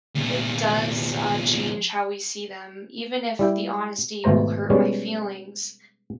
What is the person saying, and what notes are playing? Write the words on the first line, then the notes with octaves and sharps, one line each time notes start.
it does, uh, change how we see them. Even if the honesty will hurt my feelings,
E2 A#2
G3 E4 G5
G#1 B2 A3 C5 A#5
B2 G3 G#3 C#4